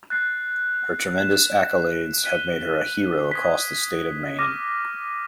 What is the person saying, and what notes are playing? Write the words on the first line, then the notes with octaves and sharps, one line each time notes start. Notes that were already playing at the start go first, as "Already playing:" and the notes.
Her tremendous accolades have made her a hero across the state of Maine.
F#6 A6 C7
F#6 B6 E7
F#6 B6 D#7 G7
D#6 G#6 B6
D6 F6 A#6 D#7